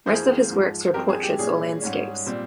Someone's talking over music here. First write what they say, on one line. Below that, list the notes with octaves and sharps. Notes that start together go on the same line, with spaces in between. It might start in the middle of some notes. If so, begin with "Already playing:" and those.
Most of his works were portraits or landscapes.
F2 E3 A#3 G#4 C5
G#2 F3 G#3
G2 F3 C4 G4 A#4
G#4
G4
A#2 G3 C#4 G#4
G#2 G3 C#4
A#2 G3 C4